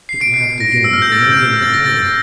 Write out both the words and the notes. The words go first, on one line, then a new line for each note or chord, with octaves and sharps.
Dick laughed again, remembering the horror.
C7
D7
C7
A#6
E6
F6
G6
A6
G6
F6
A6
A#6
A6